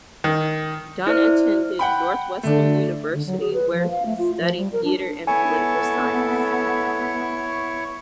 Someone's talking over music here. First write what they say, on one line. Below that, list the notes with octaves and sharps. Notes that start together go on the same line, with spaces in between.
Dunn attended Northwestern University, where he studied theatre and political science.
D#3
E4 C5 D5 F6
F#5 G5 B5
D3 A3 D4
D3
F#3
G#4
B4
F3
F5
A3
F4
F3
G3
A#4
D4
B3 E4 A4 C#5 G#5 C#6